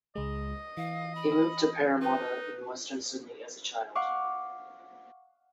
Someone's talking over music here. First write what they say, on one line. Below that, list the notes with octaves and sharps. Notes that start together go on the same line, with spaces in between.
He moved to Parramatta, in western Sydney, as a child.
C#2 G#3 D#5
E3 F5
B5
D#4 B4
F5 F#5 C#6 D6